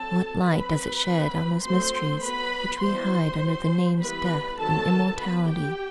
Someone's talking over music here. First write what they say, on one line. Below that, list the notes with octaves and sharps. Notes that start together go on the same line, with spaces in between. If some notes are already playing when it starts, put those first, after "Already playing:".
What light does it shed on those mysteries which we hide under the names Death and Immortality?
Already playing: F#3 C4 A4 A5
F#3 C4 B4 B5
F#3 C4
F#3 A3 C4 C5 C6
F#3 B3 B4 B5
E3 G3 B3 C5 C6
F#3 C4
E3 G3 B3 B4 B5
D#3 F#3 C4 A4 A5
F#3 B3 B4 B5
G4 G5